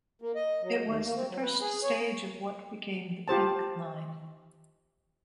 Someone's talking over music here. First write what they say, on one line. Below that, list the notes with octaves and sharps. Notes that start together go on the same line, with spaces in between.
It was the first stage of what became the Pink Line.
A#3
D#5
F#3
D#2
A#3
C4
F#3
B4
G#4
C#5
F4 G4 C5 A5